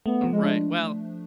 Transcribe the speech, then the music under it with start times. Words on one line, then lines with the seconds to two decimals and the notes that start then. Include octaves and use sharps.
Right, well
0.06 A3 B3
0.24 F3
0.33 G#3
0.43 D4